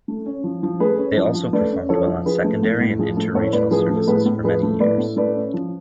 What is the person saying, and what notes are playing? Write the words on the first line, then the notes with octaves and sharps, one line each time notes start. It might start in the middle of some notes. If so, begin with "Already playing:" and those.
They also performed well on secondary and inter-regional services for many years.
A3
C#4
F3
F3
A3 G#4 B4
C#4
F3
F3
A3 B4 D5
C#4
F3 A4 C#5
F3
F3 G#4 B4
A3
A2
A2
F3 G#4
A3 A4
A2 A4 C#5
A2 B4 D5
F3 G#4 B4
A3
A4
A2 G#4 B4
A2
F3 G#4 B4
A3
A2 B4 D5
A2
A3 B4 D5
C#4
F3